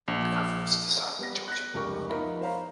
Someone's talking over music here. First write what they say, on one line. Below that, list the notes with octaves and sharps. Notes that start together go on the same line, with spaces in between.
The cover was designed by Georgia Maloney.
A#1
G3 B3 A#6
F#6 A#6
F1 C#2 G3 G4 A#4 C#6
F3 B3 D#4 A#4 E5 B5
C5 C#5 F5 A#5 B5